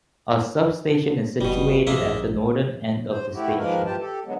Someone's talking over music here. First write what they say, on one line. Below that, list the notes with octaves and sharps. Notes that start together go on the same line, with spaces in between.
A substation is situated at the northern end of the station.
F#1 B2 G3
A#1 G#3 A#3 E5
C5
A3 E4 F#4 G4
D#3 F3 G#3 A#3 A#4 B4
E3 F4 G4 G5 A5
G4 A4
D3 F#3 G#3 B3